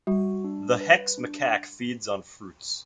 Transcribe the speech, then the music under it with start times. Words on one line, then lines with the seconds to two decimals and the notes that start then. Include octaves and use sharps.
The Heck's macaque feeds on fruits.
0.07 G3 F#4
0.44 D4
0.81 B4
1.17 D4